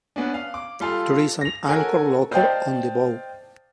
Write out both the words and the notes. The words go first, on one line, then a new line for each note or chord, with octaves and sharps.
There is an anchor locker on the bow.
B3 C#4 D4
F5
D6
G3 F4 A4 F5
A#6 F7
C#4 F#4 A4 A#4 G#5
C5 D5 D#5 F5 G5 A5